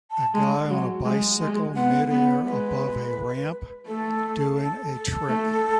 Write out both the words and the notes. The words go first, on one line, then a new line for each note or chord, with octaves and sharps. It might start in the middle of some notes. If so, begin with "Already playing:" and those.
A guy on a bicycle midair above a ramp, doing a trick.
A5
G#3
F#3
G#3
G#3
B3 F#5
B3 B4
G#3 B4
A3 A4
A4
A4
A3